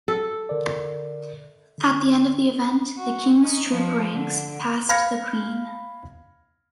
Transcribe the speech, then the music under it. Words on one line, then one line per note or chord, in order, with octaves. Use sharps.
At the end of the event, the King's Troop ranks past the Queen.
A4
D3 A#4 D5
D3
F#4
C#4 D#4
F3
D3
F5 B5 F6 G#6 A#6 C#7